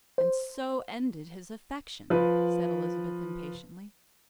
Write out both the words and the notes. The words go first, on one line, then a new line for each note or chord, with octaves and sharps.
"And so ended his affection," said Elizabeth impatiently.
C5
F3 B4